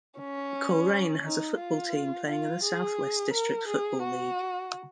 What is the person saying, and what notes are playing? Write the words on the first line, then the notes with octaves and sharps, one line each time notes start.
Coleraine has a football team playing in the South West District Football League.
C#4
D#4
F4
F4
G#4
A#4
G#4
F#4